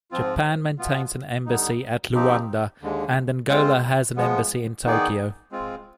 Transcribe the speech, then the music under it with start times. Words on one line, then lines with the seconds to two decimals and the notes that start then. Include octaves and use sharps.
Japan maintains an embassy at Luanda and Angola has an embassy in Tokyo.
0.11 G#2 F3 C4 F4
0.78 B2 B3 F4
1.46 D3 G3 B3 D#4
2.14 F3 C4 D#4 G4
2.81 D#2 D3 G#3
3.49 G#3 C4 F4 C5
4.16 F3 G#3 B3
4.84 D#3 B3 D#4 G#4 D5
5.52 G#3 C4 F4